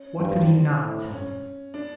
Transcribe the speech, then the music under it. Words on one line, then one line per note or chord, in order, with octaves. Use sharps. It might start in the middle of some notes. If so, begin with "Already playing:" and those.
What could he not tell them?
Already playing: C#4
G2 C4
A2
C#4
D4